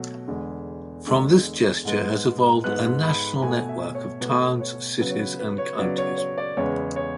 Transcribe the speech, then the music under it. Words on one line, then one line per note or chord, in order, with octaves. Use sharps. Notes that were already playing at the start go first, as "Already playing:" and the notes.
From this gesture has evolved a national network of towns, cities and counties.
Already playing: B2 F#3 A3
E2 D3 G#3
E2 D3 G#3 E6
G#2 G#3 B3
G#2 G#3 B3 F#6
B5
B2 A3 G#5
E5
C#5
B2 A3 B4
C#5
C#3 F#3 B3 B4
C#5
B4
B4
C#5
C#3 F#3 B3 D5
C#5
C#5
D5
E2 C#3 G#3 B3 C#5
C#5